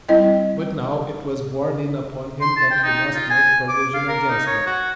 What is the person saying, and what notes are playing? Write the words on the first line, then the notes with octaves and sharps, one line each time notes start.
But now it was borne in upon him that he must make provision against it.
G3 C4 E4 D#5 G5
C6
A5
G5
D#4
F4
G#5
D6
F5
A#4
D#4
C#5
F#4